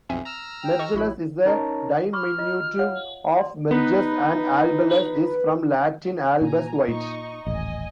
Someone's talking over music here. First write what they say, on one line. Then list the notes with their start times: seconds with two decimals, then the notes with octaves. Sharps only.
"Mergellus" is a diminutive of "Mergus" and "albellus" is from Latin "albus" "white".
0.09 B1 F2 C4 E5 G#5
0.25 A#5 E6 F6 E7
0.64 G5
0.79 A4 D#5 C#6
0.94 A#1 A2 E4 F#4 B5
1.45 C#4 D#4 A#4 C#5 A5 A#5
2.13 B5 C#6 D6 F6
2.38 F4 D#5
2.79 C#5 F5 F#5
3.38 D5 C6
3.71 B3 D#4 B4
6.41 A#2 G#5 A#5
6.88 A#2 D#4 D#5 C#6
7.47 D#1 A1 D#5 G#5